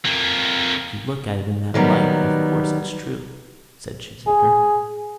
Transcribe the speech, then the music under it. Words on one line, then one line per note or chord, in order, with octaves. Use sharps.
"If you look at it in that light, of course it's true," said Cheesacre.
F2 A#3
D#3 F#3 G3 B3
G#4